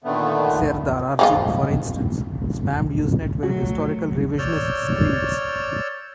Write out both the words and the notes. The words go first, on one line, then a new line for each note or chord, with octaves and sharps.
Serdar Argic, for instance, spammed Usenet with historical revisionist screeds.
A#2 D3 D#3 A3 B3
F3 G#3 F4
F#3 A3 F#4
C#5 D5 E6 F6 G6